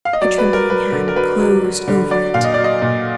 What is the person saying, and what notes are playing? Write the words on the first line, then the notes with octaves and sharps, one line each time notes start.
Her trembling hand closed over it.
F5
D#5
F#3 D5
B4
F#3
A#4
F#3 B4
D3
A#4
F#3 B4
F#3
F#3
D3
F#3 D5
A#2 F5
D#5
F#3 D5
D#5
A#2